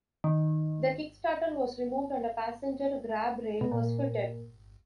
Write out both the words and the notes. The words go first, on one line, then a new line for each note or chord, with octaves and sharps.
The kick-starter was removed and a passenger grab rail was fitted.
D#3
B2
A#2